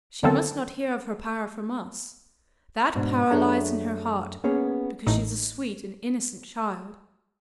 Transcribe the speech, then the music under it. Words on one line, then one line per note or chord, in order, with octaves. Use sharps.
She must not hear of her power from us; that power lies in her heart, because she is a sweet and innocent child!
D3 D#3 F#3 A#3 C4 A4
G#2 B2 D4
F#2 A3 D4 G#4 C#5 A#5
A#3 B3 C#4 G#4 C#5
A1 A2 D#4